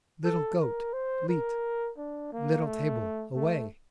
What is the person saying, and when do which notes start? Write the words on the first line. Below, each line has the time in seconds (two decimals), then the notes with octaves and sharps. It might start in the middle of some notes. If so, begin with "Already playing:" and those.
'Little goat, bleat, Little table, away.'
0.25 A4
0.60 A#4
0.94 C5
1.29 A#4
1.98 D4
2.33 A#3
2.66 A3
3.36 A3